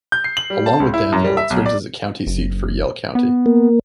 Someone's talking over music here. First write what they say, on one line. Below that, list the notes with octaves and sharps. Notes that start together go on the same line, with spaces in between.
Along with Danville, it serves as a county seat for Yell County.
G6
C7
F#7
G3
A5
C#2
E4
F#2
G3
E5
B1
D5
F#1
B3
A#3